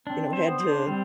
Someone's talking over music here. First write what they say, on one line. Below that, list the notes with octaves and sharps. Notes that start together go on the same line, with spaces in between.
you know, had to
C4 D4
C4
C5
B3
C5
D4
G3 C4